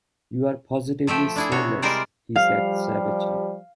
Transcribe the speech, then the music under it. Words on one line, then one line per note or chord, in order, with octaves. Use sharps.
You are positively soulless, he said savagely.
F3 A3 E5 G5
D4 E4 G#4
C3 F#4 C#5
G3 G#3 A#4 C5 D5
F3 G3 F5